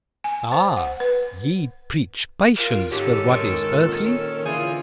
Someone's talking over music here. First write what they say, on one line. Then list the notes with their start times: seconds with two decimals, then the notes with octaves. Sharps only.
Ah! ye preach patience with what is earthly?
0.24 G#5
0.52 C5
0.77 F#5
1.00 B4
2.56 F4 A#4
2.91 G#2 D#3 C#4 D4 F#4 G4 A4
3.28 G#3 A#4
3.72 A#2 C4 F#5
4.06 C#4
4.45 D3 E3 F4 G#4 C5